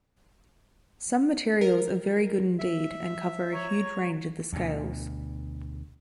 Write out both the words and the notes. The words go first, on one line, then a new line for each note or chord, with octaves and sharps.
Some materials are very good indeed and cover a huge range of the scales.
A#4
E5
C#5 A#5 C#6
D2 B2